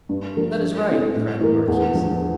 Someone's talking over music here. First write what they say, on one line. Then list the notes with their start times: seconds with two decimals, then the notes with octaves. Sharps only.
"That is right," cried the marquise.
0.09 G2
0.36 D3 F3 A#3
0.62 G2
0.89 D3 A3 C4 E4
1.16 A2
1.41 E3 A#3
1.68 E2
1.94 D3 F3